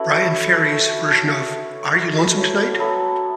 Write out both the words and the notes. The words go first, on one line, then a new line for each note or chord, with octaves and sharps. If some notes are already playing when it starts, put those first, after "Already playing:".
Bryan Ferry's version of Are You Lonesome Tonight?
Already playing: C#4 E4 F#4 A4 B4 C#5 E5
A3 E4
A3 E4 F#4
A4
A3 E4
A3 E4
A3 E4 F#4
F#3 B3 E4
F#3 B3 E4 A4